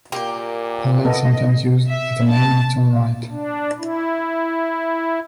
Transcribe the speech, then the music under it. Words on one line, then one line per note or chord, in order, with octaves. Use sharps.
Polly is sometimes used as a name in its own right.
A#2 A#3 G4
B3 A4 D#5
E5
A5
D4
E4